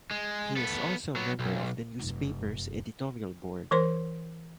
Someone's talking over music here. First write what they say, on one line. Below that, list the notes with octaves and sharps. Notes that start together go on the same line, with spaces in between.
He is also a member of the newspaper's editorial board.
G#3
B3 A4
F#3 B3
B1
F1 F#2
E3 A#4 C5 C6